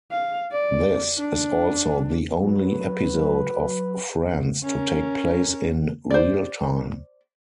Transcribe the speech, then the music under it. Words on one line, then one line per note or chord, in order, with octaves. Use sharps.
This is also the only episode of "Friends" to take place in "real time".
F5
D5
D4
F#3 B4
C#4 A#4
C5 D5